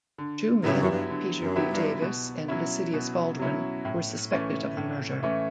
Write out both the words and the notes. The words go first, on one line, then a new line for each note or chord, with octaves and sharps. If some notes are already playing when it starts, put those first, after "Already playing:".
Two men, Peter B. Davis and Lycidias Baldwin, were suspected of the murder.
D3
A2 F#3 B3 E4 G4
G2
F#2
G2
D3
F#2
F#3 B3 E4 G4
G2
B2
F#3 C#4 E4
B2
F#3 C#4 E4
A2
E3 A3 C#4
A2
E3 A3 C#4